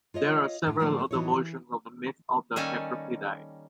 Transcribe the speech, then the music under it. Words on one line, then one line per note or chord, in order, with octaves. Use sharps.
There are several other versions of the myth of the Kekropidai.
F4 C#5 D#5 F5
A2 G4
A2 D3 F3 A3 A#3
A2 E3 F#3 D#4 F4 C#5
E3
D#3 G3 A#3 C#4 A4 G#5